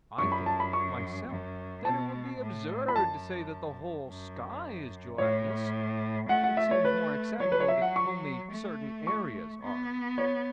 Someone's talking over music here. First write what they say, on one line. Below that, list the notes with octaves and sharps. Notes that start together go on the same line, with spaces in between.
I think, myself, that it would be absurd to say that the whole sky is gelatinous: it seems more acceptable that only certain areas are.
F#2 C#6
B5
A5
B5
C#6
F#2
B2 A5
A2
B5
F#2 A5
F#2
A2 C#5
A3 F#5
F#5
E5
C#5
B4
F#3 C#5
B4
C#5
E5
F#5
C#6
A3
C#6
B3
C#5